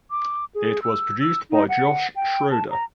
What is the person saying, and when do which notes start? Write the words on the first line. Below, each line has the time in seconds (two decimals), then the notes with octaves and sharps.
It was produced by Josh Schroeder.
0.11 D6
0.55 G#4
0.82 E6
1.20 E6
1.51 D#4
1.69 F#5
2.16 G5
2.51 A5
2.70 A#5